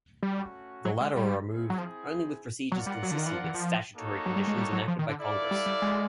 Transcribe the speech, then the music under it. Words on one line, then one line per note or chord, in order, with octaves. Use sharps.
The latter are removed only with procedures consistent with statutory conditions enacted by Congress.
G3 A3 C#4 F#4
F#3
G#3
G3
C4 E4 G#4
F#3
F3
F#3 F4 A#4 D5 F#5
G3
F#3
D3
D#3
E3
F3
E3
F3
A#3 D#4 F#4 A4 C#5
F#3
G3
G#3
G3
F#3
F3
D#3
D3
E4 A4 D5 F5
G3
G3
G#3